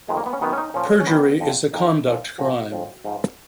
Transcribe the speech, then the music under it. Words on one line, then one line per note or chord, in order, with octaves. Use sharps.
Perjury is a conduct crime.
F2 D#3 G#3
A#3
B3
C#4
F#2 D#3 B3
C#4
D#4
A#2 F3 C#4
C#4
F#2 D#3 B3
F2 F3
F2 F3 D#4
A#2 F3
A#2 F3 F#4
F2 C#3 F3
G#2 F3